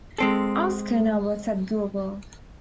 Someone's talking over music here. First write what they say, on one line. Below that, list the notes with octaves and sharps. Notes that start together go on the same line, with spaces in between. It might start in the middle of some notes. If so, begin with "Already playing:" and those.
Oskar now works at Google.
G#3 C4 A4